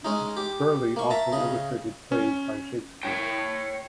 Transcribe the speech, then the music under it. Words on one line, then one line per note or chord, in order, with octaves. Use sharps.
Burleigh also illustrated plays by Shakespeare.
G#3 C#4 D#4
G4
A#3 C#6
E5 A5 A#5
C#3 D#5
C#4
C#5 G5